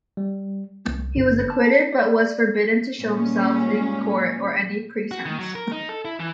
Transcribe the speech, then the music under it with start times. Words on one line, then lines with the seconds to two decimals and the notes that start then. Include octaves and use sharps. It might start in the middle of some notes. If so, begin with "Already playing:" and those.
He was acquitted, but was forbidden to show himself at court on any pretense.
0.17 G3
0.87 C2
1.16 G1
1.50 A5
1.93 D5
2.99 A#2 G3 G#3 C#4
5.11 F#4
5.26 D#3
5.39 F#3
5.55 A#4
5.72 D#4
5.89 A4
6.05 E4
6.20 E3